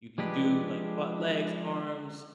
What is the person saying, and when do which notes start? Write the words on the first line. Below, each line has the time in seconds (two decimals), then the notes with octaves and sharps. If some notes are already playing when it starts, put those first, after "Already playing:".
you can do, like, butt, legs, arms,
0.18 F3 G#3 D4 G4 B4